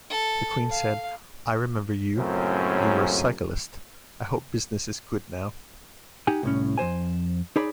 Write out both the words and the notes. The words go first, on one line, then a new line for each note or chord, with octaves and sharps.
The Queen said, 'I remember you-you were a cyclist-I hope business is good now'.
A4
F5
C#2 F#2 A2 C#3 A#3 C4
D#4 G4 F#5 G#5
C2 A2 C#4
F2 G#2 C5 G#5
D#4 G#4 C#5 D5 B5